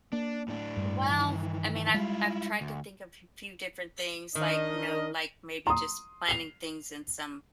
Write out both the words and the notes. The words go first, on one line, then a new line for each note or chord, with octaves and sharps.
Well, I mean, I've I've tried to think of a f few different things, like, you know, like maybe just planting things in some,
A#3 D4
A2 D4
G2
D#3 E3
G3 G#3 E4 F4
D2
D#3 D4 A#4 D#5
A#5 C6 D#6
C7 F7